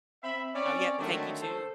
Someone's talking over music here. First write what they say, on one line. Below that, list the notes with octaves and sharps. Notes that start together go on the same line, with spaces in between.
Oh, yeah, eh, thank you, too.
C4 E5 B5
C4 C#4 C#5 D5
D3 D#3 F#3 G#3 A3 D4
A4 C5